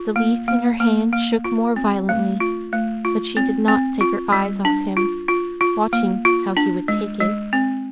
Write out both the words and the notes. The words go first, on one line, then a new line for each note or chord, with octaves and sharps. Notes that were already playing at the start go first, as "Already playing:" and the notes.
The leaf in her hand shook more violently, but she did not take her eyes off him, watching how he would take it.
Already playing: F4
A#3
A#3
A#3
A#3
F4
C4
A3
F4
A3
F4
C4
C4
F4
G3
D4
F4
F4
F4
A#3
F4
D4
G#3
G#3
C4